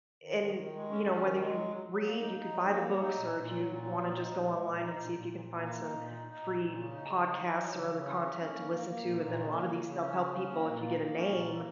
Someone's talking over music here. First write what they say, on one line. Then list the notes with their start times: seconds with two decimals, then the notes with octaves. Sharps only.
and, you know, whether you read, you could buy the books, or if you wanna just go online and see if you can find some free podcasts or other content to listen to, and then a lotta these self-help people if you get a name,
0.24 D#3
0.41 D#3
0.57 D#3
0.73 G#3
0.89 C#4
1.06 C#4
1.22 D#3
1.38 G#3
1.55 F#3
1.71 F#3
1.87 F#3
2.04 A#3
2.20 D#4
2.36 D#4
2.52 F#3
2.69 A#3
2.84 F#3
3.01 D#4
3.17 A#2
3.34 A#2
3.50 F#3
3.66 A#2
3.83 F#3
3.99 A#2
4.15 D#4
4.32 A#2
4.47 G#3
4.64 A#2
4.80 D#4
4.96 A#2
5.13 A#2
5.29 A#2
5.45 A#2
5.61 A#3
5.78 D#4
5.94 A#2
6.10 D#4
6.27 D#4
6.43 A#2
6.59 A#2
6.76 C#3
6.92 D#4
7.08 C#3
7.25 D#4
7.41 D#4
7.57 F#3
7.73 C#3
7.90 C#3
8.06 C#4
8.22 C#4
8.38 C#4
8.54 A#3
8.72 A#3
8.88 A#3
9.04 A#2
9.20 A#2
9.36 C#3
9.53 A#3
9.69 C#3
9.85 C#3
10.01 C#4
10.18 C#3
10.34 C#4
10.50 A#3
10.67 A#2
10.83 A#3
10.99 A#3
11.15 C#4
11.32 A#2
11.48 A#3